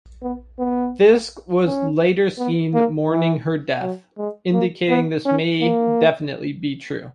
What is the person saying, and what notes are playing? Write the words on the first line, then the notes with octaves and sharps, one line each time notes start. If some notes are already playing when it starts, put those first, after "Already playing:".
Fisk was later seen mourning her death, indicating this may definitely be true.
B3
B3
C#4
B3
A#3
E3
F#3
G#3
A#3
B3
C#4
A#3